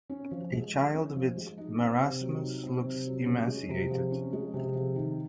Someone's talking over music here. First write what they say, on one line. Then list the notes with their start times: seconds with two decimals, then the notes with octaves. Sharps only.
A child with marasmus looks emaciated.
0.10 C#4
0.31 F3
0.52 G#3
0.73 F4
0.94 C#4
1.15 F3
1.37 G#3
1.58 D#4
1.79 C4
2.00 C3
2.21 F#3
2.42 D#4
2.63 C4
2.84 C3
3.06 F#3
3.26 C#4
3.47 G#3
3.69 C3
3.90 F3
4.11 C#4
4.33 G#3
4.54 C3
4.75 F3
4.96 D#3